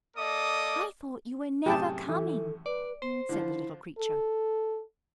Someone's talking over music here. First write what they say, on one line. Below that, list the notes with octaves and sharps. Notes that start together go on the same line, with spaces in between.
"I thought you were never coming," said the little creature.
A#3 A4 D5 D#5 D6 D#6
F#2 A2 C3 G4 G#4 A5
E3 A4
B4 D5
B3 C5
D3 F3 E4
A4